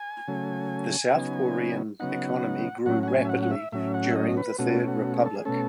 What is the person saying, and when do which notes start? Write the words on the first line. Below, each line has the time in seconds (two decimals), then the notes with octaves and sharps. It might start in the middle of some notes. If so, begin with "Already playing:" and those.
The South Korean economy grew rapidly during the Third Republic.
Already playing: G#5
0.28 C#3 F#3 A3
1.13 C#3 F#3 B3 D#4
2.00 C#3 F#3 B3 D#4 F#5
2.86 A2 F#3 C#4 F#5
3.03 F#5
3.08 G#5
3.25 E5
3.29 F#5
3.43 F#5
3.51 E5
3.72 A2 F#3 C#4 E5
3.94 F#5
4.11 E5
4.16 D#5
4.37 B4
4.58 B2 A3 C#4 F#4
4.88 F#4
5.17 G#4
5.25 A4
5.35 G#4
5.45 B2 A3 C#4 A4